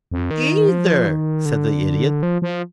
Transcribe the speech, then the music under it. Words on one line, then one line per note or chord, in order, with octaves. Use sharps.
"Either," said the Idiot.
F2
D#3
F3
D#3
D3
F3
F3